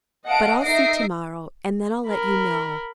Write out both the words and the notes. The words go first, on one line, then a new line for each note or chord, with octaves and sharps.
But I'll see to-morrow, and then I'll let you know.
D#5 F5 F#5 A5 C#7 D7
D#4 D#5 E5 A#6 C7 D7
A#4 B5